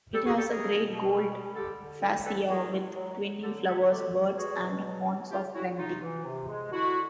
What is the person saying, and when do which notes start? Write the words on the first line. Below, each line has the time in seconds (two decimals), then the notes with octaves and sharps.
It has a great gold fascia with twining flowers, birds, and horns of plenty.
0.14 G3 G4 A4
0.26 F#4 G#4
0.37 G3 G4 A4
0.49 G#4 A#4
0.61 B2
0.85 B2
1.08 G3
1.32 G3
1.55 D3 G4 A4
1.79 D3
2.02 A2 G4 A4
2.25 E3 A4 B4
2.49 A2 G#4 A#4
2.73 G#3
2.96 F#3
3.20 F#3
3.43 D3 G4 A4
3.67 D3 G4 A4
3.90 G#3 G4 A4
4.13 G#3
4.37 B2 F#4 G#4
4.60 B2
4.84 F#3
5.07 F#3
5.31 C#3 F4 G4
5.54 C#3 E4 F#4
5.78 C3 D#4 F4
6.02 E3
6.25 C3
6.48 G#3
6.72 D3 E4 F#4